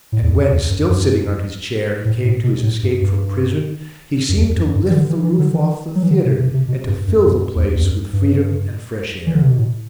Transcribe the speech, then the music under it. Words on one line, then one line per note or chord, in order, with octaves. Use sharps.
And when, still sitting on his chair, he came to his escape from prison, he seemed to lift the roof off the theatre and to fill the place with freedom and fresh air.
A2
E2
F#2
E2
F#2
F#2
A2
A2
B2
A2
G2
G2
F#2
E2
F#2
G2
E3
D3
E3
E3
D3
E3
F#3
E3
D3
C3
C3
C3
B2
G2
F#2
F#2
E2
E2
F#2
G2
E3
D3
C3
B2
A2